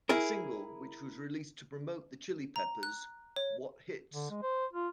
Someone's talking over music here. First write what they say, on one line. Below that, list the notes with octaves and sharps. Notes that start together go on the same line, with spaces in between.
The single, which was released to promote the Chili Peppers' What Hits!?
E4 G#4 A#4
A#5
F#6
C#5
D3
G#3
C5
F4